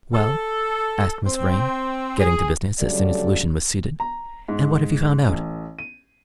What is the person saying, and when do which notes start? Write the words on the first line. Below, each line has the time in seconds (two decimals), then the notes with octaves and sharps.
"Well?" asked Miss Vrain, getting to business as soon as Lucian was seated, "and what have you found out?"
0.14 A4
1.26 C4
2.19 G#4
2.80 D2 C#3 F#3 G3 A4 D5
4.00 A#5
4.48 G#2
5.29 A1
5.79 D#7